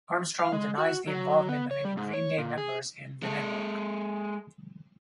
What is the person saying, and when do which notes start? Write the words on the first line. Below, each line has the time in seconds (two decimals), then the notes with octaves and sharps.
Armstrong denies the involvement of any Green Day members in The Network.
0.40 F5
0.52 G#3
0.78 F#4
1.07 F#3
1.49 B3
1.71 C#5
1.85 G3
1.97 G#2
2.14 C#5
2.38 A#2
2.58 G#4
3.23 G#3 A4